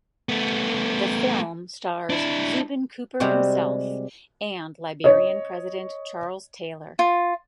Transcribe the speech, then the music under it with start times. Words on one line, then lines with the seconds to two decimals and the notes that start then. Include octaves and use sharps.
The film stars Zubin Cooper himself and Liberian president Charles Taylor.
0.29 A3 B3
2.10 D4 E4
3.20 C3 G3 G#3 C4 F#4
5.04 C#5 D#5
6.99 F4